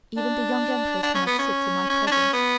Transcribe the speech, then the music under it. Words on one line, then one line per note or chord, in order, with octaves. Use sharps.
Even the Young Empress cannot sit in my presence.
D4
D4
C#4
B3
C#4
C#4
D4
C#4
B3